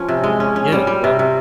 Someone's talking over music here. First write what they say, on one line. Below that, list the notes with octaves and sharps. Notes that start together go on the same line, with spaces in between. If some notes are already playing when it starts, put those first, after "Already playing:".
Yeah, you're welcome.
Already playing: F3 C#4
C3
G#3
C#4
C#4
G3
G3
C3
C3